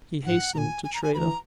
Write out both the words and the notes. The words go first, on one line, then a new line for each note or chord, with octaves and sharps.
He hastened to Tredah.
G#2 F#5
A#2 G#5 A#5
G#5
A#5
G#5
E3 A#5 B5